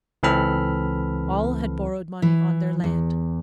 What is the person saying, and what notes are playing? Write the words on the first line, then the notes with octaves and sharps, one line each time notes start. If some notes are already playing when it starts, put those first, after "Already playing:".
All had borrowed money on their land.
C#2 E3 C4 A4 B5 F6
E3
E2